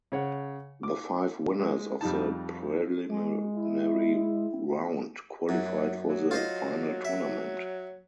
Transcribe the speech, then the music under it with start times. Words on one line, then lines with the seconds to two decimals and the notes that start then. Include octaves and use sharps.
The five winners of the preliminary round qualified for the final tournament.
0.12 C#3 C#5 F#5
0.83 D6
1.59 G#3
2.01 F2 G3 D#4 A5
3.09 G#3
3.55 E4
5.49 F#2 F#3
6.09 F#3
6.31 F4 C5 D#5
7.05 E5